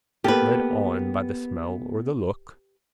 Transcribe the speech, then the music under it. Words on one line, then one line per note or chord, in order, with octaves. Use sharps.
Led on by the smell or the look.
A#3 B3 G4 A4 B4